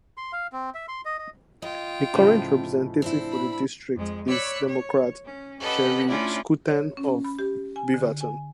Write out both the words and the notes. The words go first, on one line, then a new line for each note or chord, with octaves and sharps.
The current representative for the district is Democrat Sheri Schouten of Beaverton.
C6
F5
C4
E5
C6
D#5
D#5
F4 D#5 G5
A2 C#3 F3
C4 D4 E4
B5
F2 G#3
C#5 D5 B5 E6 F#6
C#5
C#4
C#4 G4 A4 B4 D#5 F#5
A3 C#4 D4 E4 F4
C#5
C#4
B5
G4
G#5
D3
G#5